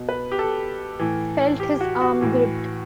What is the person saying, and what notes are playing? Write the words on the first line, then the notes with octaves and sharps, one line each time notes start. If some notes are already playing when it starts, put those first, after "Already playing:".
Felt his arm gripped.
Already playing: B2
B4
G4
A4
A2 E3
G4
F#4
F#4
A2 E3